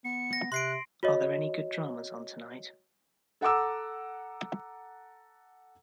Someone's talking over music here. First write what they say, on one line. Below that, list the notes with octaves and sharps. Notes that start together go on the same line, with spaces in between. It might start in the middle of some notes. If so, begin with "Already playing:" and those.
Are there any good dramas on tonight?
B3 C#7
A#6
C3 C6 F#6 C7 D7
F#4 C#5 D#5
A4 F#5 A#5 D6 E6